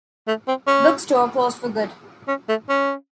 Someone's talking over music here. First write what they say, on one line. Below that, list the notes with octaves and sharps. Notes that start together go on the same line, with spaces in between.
Bookstore closed for good.
A3
C4
C#4
C#4
A3
C#4